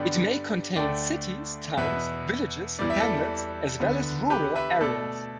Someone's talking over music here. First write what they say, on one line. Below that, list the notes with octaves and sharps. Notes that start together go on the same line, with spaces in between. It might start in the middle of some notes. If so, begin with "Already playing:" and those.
It may contain cities, towns, villages, hamlets as well as rural areas.
Already playing: G2 D3 G3 B3 D5 G5
D2 D3 A3 D5 G5
E2 B2 B3 B4 E5
E2 E3 G3 D5
E5
A4 D5
D2 D3 B3
G4 B4
B4 E5
B2 A3 A4 D5